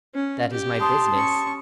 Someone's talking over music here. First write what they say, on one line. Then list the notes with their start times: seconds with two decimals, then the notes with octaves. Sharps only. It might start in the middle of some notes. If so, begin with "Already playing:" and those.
"That is my business."
0.15 C#4
0.51 G4
0.80 A5 C6 D#6
1.14 C#4 C#6